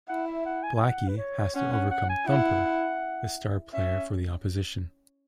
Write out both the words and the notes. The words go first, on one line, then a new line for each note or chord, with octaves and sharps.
Blacky has to overcome Thumper, the star player for the opposition.
E4 F#5
E5
F#5
G#5
G#5
F#5
B4
C#5
C#4 F#5
F#5
F#5
G#5
E4 F#5
C#4 E5